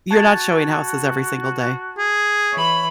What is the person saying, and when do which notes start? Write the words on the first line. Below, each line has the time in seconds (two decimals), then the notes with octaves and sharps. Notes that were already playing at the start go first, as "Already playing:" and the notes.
You're not showing houses every single day.
0.11 F#4 A5 G#6 A6
1.98 G#4
2.53 E3 C#5 B5